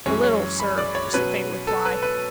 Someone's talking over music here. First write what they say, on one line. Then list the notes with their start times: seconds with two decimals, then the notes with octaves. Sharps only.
"A little, sir," was the faint reply.
0.06 F#2 E3 G#3 C#4 C#5
0.24 C#5
0.60 B5
0.78 D5
0.95 C#5
1.13 B2 F#3 C#4 B4
1.67 A4
1.85 B4
2.02 B4